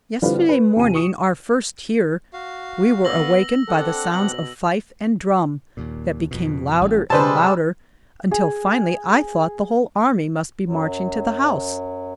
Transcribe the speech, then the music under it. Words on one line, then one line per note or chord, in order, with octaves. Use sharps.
Yesterday morning--our first here--we were awakened by the sounds of fife and drum that became louder and louder, until finally I thought the whole Army must be marching to the house.
D3 G3 C4 E4 F4 B4
B4
D#2 C3 G#5 D#7
C#6 D#6 C#7 E7
F#4 F5
B3 E6 A#6 F#7
C4 D4 A4 F#5
B2 F#7
D#2 A#2
F2 B2
A1
C3 G3 G#3 B4 C5 A5 E6
G#4
F#2 F#3